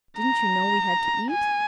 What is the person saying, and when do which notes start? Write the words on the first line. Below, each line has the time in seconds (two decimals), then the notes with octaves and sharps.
Didn't you know we had to eat?
0.18 A#5
1.31 G#5